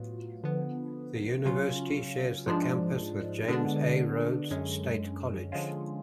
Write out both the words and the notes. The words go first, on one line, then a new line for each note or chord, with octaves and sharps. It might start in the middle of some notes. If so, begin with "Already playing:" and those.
The University shares the campus with James A. Rhodes State College.
Already playing: A2 F#3 B3 F4
D3 F3 B3
C#3 F#3 C#4 F4
G#2 F3 G#3 D4
D3 G#3 B3 D4
F#2 D3 G#3 C#4
D3 F3 G#3 C#4 F4